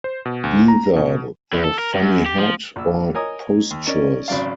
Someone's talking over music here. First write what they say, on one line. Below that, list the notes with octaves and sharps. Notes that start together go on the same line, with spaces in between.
Either the funny hat, or postures.
C5
B2
D2
A#5
B2
E2
A4
A#4
F#2
G4
F3
A#1 E6
A#4 C#5 D#5 G#5 A#5 D#6
D#2
C#4 A#4 D5 D#5
G#1 C#3 F#3 D5 F5